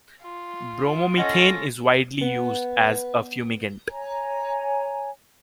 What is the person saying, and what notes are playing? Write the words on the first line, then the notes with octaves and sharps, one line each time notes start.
Bromomethane is widely used as a fumigant.
F4
C#4 A4 C#5 D#5 F#5 A#6
B3
C#5 G#5 A#5